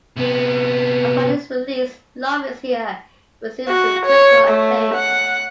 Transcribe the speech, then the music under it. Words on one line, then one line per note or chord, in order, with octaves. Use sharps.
Upon its release, "Love Is Here" received some critical acclaim.
C3 B3
F#4
C#5
A3
F#5